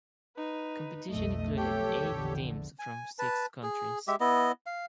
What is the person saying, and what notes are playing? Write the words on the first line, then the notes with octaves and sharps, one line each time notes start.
Competition included eight teams from six countries.
D#4 B4
B1 F2 A3 D#5
G4 A4 C#5 G5
A#1 E2 D3
G#5
B4 A5
G#4
G#3 G4 E5
B3 E4 D#5
F5